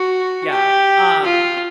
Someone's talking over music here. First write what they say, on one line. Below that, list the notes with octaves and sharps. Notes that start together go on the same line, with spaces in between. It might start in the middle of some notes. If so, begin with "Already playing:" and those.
Yeah. Um,
Already playing: F#4
G4
F4